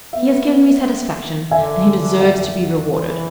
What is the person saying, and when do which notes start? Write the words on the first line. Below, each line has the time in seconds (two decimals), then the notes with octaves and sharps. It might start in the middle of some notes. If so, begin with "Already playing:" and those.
He has given me satisfaction, and he deserves to be rewarded.'
0.13 B3 E5
1.51 D3 E5 G#5
2.20 D5 F#5
2.91 E3